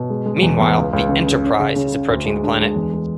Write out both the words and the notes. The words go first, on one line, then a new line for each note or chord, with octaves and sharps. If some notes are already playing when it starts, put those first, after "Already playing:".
Meanwhile, the "Enterprise" is approaching the planet.
Already playing: B2
G#3
G#3
E2
E2
C#2
C#2
C#3
C#3
C#4
C#3
C#3
C#3
D2
G#3
D4
G#3
E2
G#3